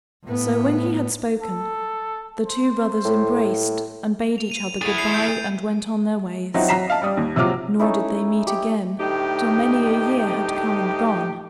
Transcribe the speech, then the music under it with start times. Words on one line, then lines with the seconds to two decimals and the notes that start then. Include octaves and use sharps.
So when he had spoken the two brothers embraced and bade each other good-bye and went on their ways; nor did they meet again till many a year had come and gone.
0.24 A2 B3
1.42 A4
2.45 C5
3.05 A2
4.38 F7
4.50 D#7 F7
4.82 E4 G#4 A6 D#7 F7
4.95 C7 D#7
5.14 G6 D7
6.54 F3 F#3 C4 D#4 E4 F#4
6.68 F#3 A#5 B6 C7 E7
6.87 D#5 F5 A5
7.02 G3 D5 D#6
7.17 D#2
7.35 A#1 C3 F#3 F4 D6 F6
7.79 A3 C#4 D#4 E4
8.47 G4
8.99 D2 A2 D#4 G4